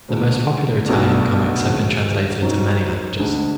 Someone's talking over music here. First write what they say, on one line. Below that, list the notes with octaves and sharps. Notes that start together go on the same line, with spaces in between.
The most popular Italian comics have been translated into many languages.
D2 C#3 G#3 C#4
B1 B2 A3 D4
G#1 F#2 C#3 G#3
G#2 F#3 C#4
D2 D3 G#3